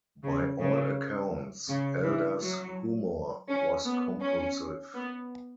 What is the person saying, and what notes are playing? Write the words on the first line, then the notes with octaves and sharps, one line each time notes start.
By all accounts, Elder's humor was compulsive.
C#3
C#3
C#3
E3
F#3
C#4
B3
C#4
B3